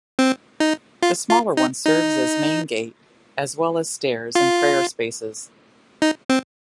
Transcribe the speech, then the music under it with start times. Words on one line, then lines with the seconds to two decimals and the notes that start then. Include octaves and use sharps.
The smaller one serves as main gate as well as stairs and prayer spaces.
0.19 C4
0.60 D#4
1.02 F4
1.30 F4
1.57 D#4
1.86 D#4
4.35 F4
6.02 D#4
6.30 C4